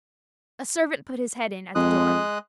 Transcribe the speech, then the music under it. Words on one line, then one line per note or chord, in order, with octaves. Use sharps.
A servant put his head in at the door.
F2 G#3 D#6 F#6